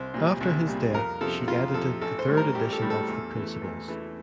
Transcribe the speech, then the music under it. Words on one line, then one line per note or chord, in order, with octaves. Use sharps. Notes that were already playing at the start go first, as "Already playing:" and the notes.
After his death she edited the third edition of the "Principles".
Already playing: C2 C5
A#2 G3
C2
A#2 G3
F2 A#4
C3 F3 A4
F2 F4
C3 F3 A4
A1 A4
C5
A2 G3
A#4
A1 G4
A4
A2 G3
A4
E2
E3 A3
E2
E3 A3